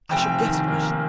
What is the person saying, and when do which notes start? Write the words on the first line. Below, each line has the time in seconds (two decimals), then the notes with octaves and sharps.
"I shall get admission."
0.11 F1 G5
0.40 D#3
0.68 A#3